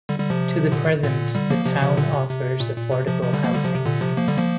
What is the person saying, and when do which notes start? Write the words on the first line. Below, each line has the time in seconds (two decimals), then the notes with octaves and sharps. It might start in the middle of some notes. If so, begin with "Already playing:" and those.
To the present, the town offers affordable housing.
0.09 D3 G3
0.19 D3 G3
0.30 C3 F3
0.72 A#2 D3
1.03 A#2 D3
1.35 D3 G3
1.50 F3 A#3
1.65 C3 F3
1.81 C3 F3
1.97 A#2 D3
2.13 C3
2.29 C3
2.60 A#2
2.76 A#2
2.92 C3
3.07 C3 F3
3.23 C3 F3
3.33 D3 G3
3.44 F3 A#3
3.54 D3 G3
3.65 C3 F3
3.75 C3
3.86 A#2 D3
4.01 C3 F3
4.17 F3 A#3
4.28 D3 G3
4.38 F3 A#3